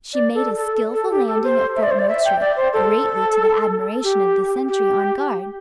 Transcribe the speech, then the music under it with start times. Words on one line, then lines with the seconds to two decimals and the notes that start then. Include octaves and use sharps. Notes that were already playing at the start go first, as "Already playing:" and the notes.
She made a skilful landing at Fort Moultrie, greatly to the admiration of the sentry on guard.
0.14 D5
0.35 A4
0.57 A4
0.94 A4
1.11 G4
1.27 A4
1.44 C5
1.76 E5
1.83 D5
1.91 C5
1.99 D5
2.08 E5
2.25 G5
2.41 D5
2.57 C5
2.73 A4
4.04 G4
4.68 G4